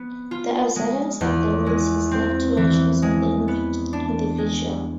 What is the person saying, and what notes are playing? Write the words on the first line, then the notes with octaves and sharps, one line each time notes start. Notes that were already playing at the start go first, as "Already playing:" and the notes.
The observance of the rules is left to the choice of the individual.
Already playing: B3
F4
G#3
E2
G#3
C4
E3
G#3
B3
D4
G#3